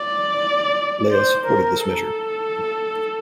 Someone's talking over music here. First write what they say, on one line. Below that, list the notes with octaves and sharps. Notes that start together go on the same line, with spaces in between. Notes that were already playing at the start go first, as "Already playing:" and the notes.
Lea supported this measure.
Already playing: D5
C5
A#4
A4